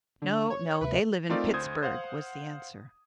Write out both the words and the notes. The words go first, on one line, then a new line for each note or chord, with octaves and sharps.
"No, no, they live in Pittsburg," was the answer.
D3
C#5
D2 C3 B4 E5
A3 C4 D#4 F4 A#4 D5
D2 C5 D#6 G#6
C5 F5 F#5